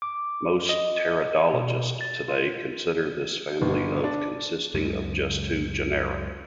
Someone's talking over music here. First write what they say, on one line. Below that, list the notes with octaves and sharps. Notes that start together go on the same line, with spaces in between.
Most pteridologists today consider this family of consisting of just two genera.
D6
D#5
B2
A6
F4
G1
D4
C#2 F#2 C#3 G#3